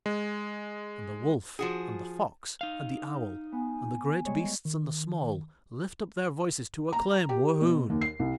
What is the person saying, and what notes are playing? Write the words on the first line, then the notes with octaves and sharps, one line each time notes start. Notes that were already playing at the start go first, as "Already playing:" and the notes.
And the wolf and the fox and the owl, and the great beasts and the small, lift up their voices to acclaim Wohoon.
G#3
F3 F#4 G#4
D#4 F5
B3 G#5
G3 G#3 C#5
D#3
A#5
G4
B2
D#2
C7
C2